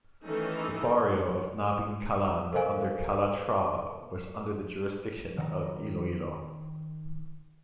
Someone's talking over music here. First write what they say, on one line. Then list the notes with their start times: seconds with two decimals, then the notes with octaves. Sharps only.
The barrio of Nabingkalan under Calatrava, was under the jurisdiction of Iloilo.
0.25 D#3 E3 A3 C#4 D#4 A4
2.53 A4 A#4 C5 D#5 F5 G#5
5.38 D#3 F#5 A#5